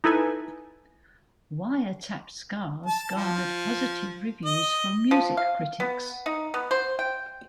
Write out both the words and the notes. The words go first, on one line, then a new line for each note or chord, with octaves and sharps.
"Wiretap Scars" garnered positive reviews from music critics.
D#4 E4 A4 B4 G#5
A5
F3
D#5
F3
F5
B3
D#4
B3
C5
G5